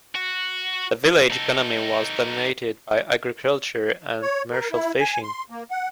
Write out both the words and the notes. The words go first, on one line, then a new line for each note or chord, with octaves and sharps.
The village economy was dominated by agriculture and commercial fishing.
F#4
D#4 A4
C#5
A#4
E4
G#5
C6
A#3
F#5